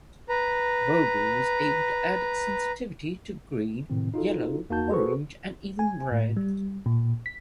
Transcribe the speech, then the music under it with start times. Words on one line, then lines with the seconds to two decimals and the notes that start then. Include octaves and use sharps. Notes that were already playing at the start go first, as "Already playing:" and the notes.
Vogel was able to add sensitivity to green, yellow, orange and even red.
0.29 B4 A#5
3.90 A2 C3 D#3 C4
4.14 D#4 F4 F#4 A4
4.70 E2 A#3 D#4 F#4 A5 G6
4.90 F#4 G#4 A4 B4 C5 C#6
5.79 G#5
6.11 A2
6.37 G3
6.86 A#2
7.26 B6